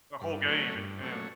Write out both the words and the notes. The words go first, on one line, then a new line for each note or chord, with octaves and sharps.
the whole game and and
G2
F#3 A3 C#4
G2
F#3 A3 C#4